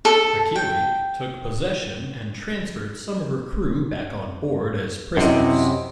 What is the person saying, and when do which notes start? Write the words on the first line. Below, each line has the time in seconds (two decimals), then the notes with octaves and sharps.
"Achille" took possession, and transferred some of her crew back on board as prisoners.
0.05 A4
0.56 G5
5.17 F#2 C3 E4 D#5